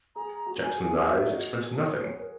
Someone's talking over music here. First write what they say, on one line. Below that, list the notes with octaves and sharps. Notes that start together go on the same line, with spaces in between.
Jackson's eyes expressed nothing.
G#4 A#5
F#4
G#5
G#4
F#4 A#4 E5
C#5
D#5
C#5
C#5
A#4